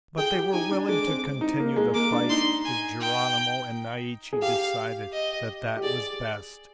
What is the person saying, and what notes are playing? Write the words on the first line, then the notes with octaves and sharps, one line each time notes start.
But they were willing to continue the fight if Geronimo and Naiche decided that that was best.
G#4 G5
G4
D#4 G#5
D4
G#3 D6
C4
D#4
A#3
G#3
A#3 D6
D4
D#4 C6
G#5
G5
G#4
G4 F5
D#5
G4
G#4 D5